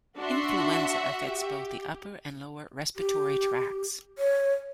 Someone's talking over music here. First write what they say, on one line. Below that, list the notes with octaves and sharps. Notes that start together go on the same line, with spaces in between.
Influenza affects both the upper and lower respiratory tracts.
D4 F#4 E5 C6
G4
G4
C#5